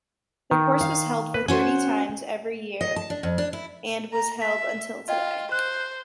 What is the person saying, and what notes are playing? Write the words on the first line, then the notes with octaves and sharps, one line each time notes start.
The course was held for thirty times every year and was held until today.
D#3
F5
B4
C#4 F#4 C5 G#5
D#5
A5
D4
F2
D4
E4
A#5
E5 B6
F4 D#5 G5
C5 F#6